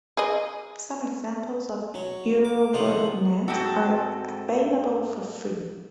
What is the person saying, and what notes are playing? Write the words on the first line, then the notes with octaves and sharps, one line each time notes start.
Some examples of EuroWordNet are available for free.
G#4 D#5
F#3 C#5
D6
C3 D#3 F3 F4 F#5 D#6
G#2 C4 F#4 A4